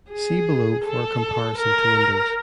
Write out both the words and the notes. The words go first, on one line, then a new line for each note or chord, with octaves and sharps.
See below for a comparison to Windows.
G#4
A4
A#4